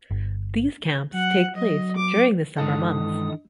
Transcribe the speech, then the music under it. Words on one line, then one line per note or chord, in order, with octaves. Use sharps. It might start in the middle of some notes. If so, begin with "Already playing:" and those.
These camps take place during the summer months.
G1
F#3 F#5
F#3 D#5
D6
G2 D#3 E3 G#3 A4 D#6